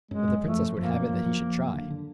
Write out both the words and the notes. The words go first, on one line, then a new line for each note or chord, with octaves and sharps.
But the princess would have it that he should try.
F#2 G#3
F#2
F3 A3
F#2
F3 A#3
F#2
F3
F3
F3
F#2
D3
D3